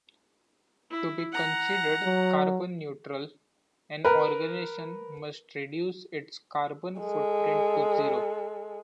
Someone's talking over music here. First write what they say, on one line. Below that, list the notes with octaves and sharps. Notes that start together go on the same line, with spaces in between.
To be considered carbon neutral, an organization must reduce its carbon footprint to zero.
E4
F#5 A#5
F#3
A#4 B4
G#3 A4